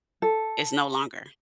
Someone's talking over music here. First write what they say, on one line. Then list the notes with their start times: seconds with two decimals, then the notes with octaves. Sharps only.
is no longer.
0.22 A4